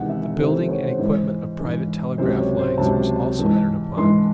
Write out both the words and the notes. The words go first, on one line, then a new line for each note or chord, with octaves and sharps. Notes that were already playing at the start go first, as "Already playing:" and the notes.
The building and equipment of private telegraph lines was also entered upon.
Already playing: E2 C3 D#3 G#3 F#5
E5
E5
A4
E2 C3 D#3 G#3 C5
C5
C#5
C5
G#2 E3 G#3
G#2 E3 G#3
C#2 C3 F#3 C5
C#5
C5
C#2 C3 F#3 A5
G#2 E3 G#3
G#2 E3 G#3 C6